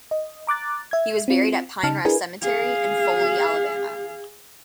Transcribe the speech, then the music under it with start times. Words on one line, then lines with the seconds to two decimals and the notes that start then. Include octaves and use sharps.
He was buried at Pine Rest Cemetery in Foley, Alabama.
0.11 D#5
0.47 A#5 D6 F#6 A6
0.91 E5 G#6
1.28 C4 F4 F#4
1.83 C#3 D#4 A5 F6
2.05 D4 E4 G#4 A#4 B4 G#5
2.42 G#4 F5